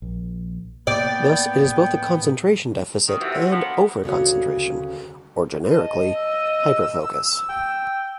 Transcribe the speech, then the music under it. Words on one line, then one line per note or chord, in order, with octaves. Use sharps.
Thus it is both a concentration deficit and over-concentration, or generically: hyperfocus.
A#1
A2 A#3 B3 D5 G5
D#3
C3 E3 F#4 D5 G5
C5
D3 A#3 B3
F#3 A5 B5
D2 C#3 F#4 C#5
D#5 A5
E6
G5